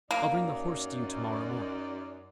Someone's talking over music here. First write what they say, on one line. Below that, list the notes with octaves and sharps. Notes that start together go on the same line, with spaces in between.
I'll bring the horse to you to- morrow morning.'
F#2 A#3 D#4 D5